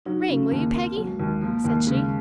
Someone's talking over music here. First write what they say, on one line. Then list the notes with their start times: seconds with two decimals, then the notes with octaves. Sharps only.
"Ring, will you, Peggy?" said she.
0.05 F#3 D#4
0.28 C#3 C#4
0.43 C4
0.51 D#2 A#3
0.74 A#3 C4
0.97 F#3
1.07 G#3
1.19 D#2
1.41 F3 A#3
1.64 D#2 A#3
1.76 G#3
1.87 C#3